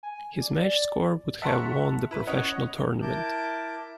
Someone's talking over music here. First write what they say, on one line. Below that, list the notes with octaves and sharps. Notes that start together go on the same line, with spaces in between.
His match score would have won the professional tournament.
G#5
D5
E5 F#5 A5 A#5 C6 C#6
E4 B4
C#4 C#5 D#5 F#5
E4 A#4 A5 D6 G6